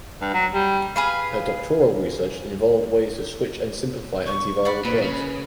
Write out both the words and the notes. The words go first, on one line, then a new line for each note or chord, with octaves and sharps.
Her doctoral research involved ways to switch and simplify antiviral drugs.
G2
F#3
G3
G#4 B4 F5
C#6
D5 F#5 B5
A#2 B4 B5
C#3